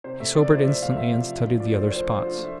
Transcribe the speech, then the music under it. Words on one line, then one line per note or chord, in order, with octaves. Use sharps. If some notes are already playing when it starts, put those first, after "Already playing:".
He sobered instantly and studied the other spots.
C3 C5
A3 E5
C3 D5
F3 C5
C3 E5
A3 F5
C3 E5
F3
F3
D4
F4 D5
A3 C5
F3 C5
D4
F4
A3
E5